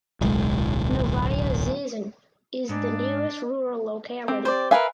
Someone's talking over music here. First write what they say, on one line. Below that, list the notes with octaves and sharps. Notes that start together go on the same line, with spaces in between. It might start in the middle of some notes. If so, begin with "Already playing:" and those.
Novaya Zhizn is the nearest rural locality.
D1 B1 G#3
G#2 D4
C4 G4
C5 D5
A#4 B4 E5 F5 G#5